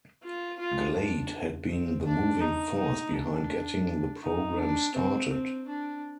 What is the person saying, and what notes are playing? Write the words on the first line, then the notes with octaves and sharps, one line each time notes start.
Glade had been the moving force behind getting the program started.
F4
F4
D4
C4
D4
D#4
D#4
D4
D#4
D4
C4
C4
D4